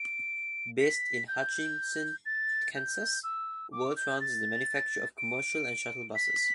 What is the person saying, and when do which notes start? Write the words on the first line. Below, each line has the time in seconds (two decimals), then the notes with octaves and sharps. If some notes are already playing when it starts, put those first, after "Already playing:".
Based in Hutchinson, Kansas, World Trans is a manufacturer of commercial and shuttle buses.
Already playing: D7
0.80 B6
1.28 G6
2.26 A6
2.76 G6
3.23 E6
3.72 D6
3.96 G6
4.20 A6
5.18 D7
6.15 B6